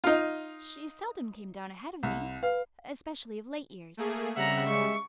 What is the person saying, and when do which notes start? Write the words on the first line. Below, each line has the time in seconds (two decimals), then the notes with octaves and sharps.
She seldom came down ahead of me, especially of late years.
0.04 D#4 F4
2.03 C2
2.43 B4 F5
3.97 A3 A#3 G#4
4.36 C#3 G3 C4 E5 F#5 A#5
4.67 G#3 C#6